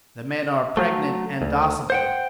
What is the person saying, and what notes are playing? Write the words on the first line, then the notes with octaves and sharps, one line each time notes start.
The Men are pregnant and docible.
F#3 A3
D2
C5 F#5 G5